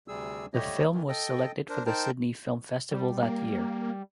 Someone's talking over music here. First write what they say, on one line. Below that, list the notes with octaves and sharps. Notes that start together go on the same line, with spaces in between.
The film was selected for the Sydney Film Festival that year.
D2 C3 G3 G#4 E6
D3 G3 A3 G4 C#5 D#5
D#3 E3
A4 D#5 G5
D4 A#4 C5
D#4 A#4 C5 G5 A5
G3
A#3